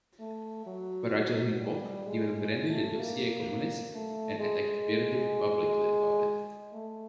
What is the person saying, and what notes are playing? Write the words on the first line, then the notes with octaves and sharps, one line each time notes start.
Prajadhipok even branded the dossier "communist" and attacked Pridi publicly about it.
A3
F#3
F#3
G3
G#3
G#3
A3
A#3
A3
G#3
A3